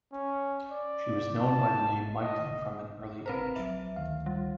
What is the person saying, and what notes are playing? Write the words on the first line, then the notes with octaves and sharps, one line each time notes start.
She was known by the name Mica from an early age.
C#4
D5
A5
D#5
C4 B4 C5 A#5
A#1 F#3 E5
D2 D#3 F5
G3